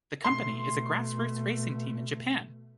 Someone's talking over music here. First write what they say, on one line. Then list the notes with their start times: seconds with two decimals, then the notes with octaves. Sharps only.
The company is a grass-roots racing team in Japan.
0.24 B2 A3 C6 C7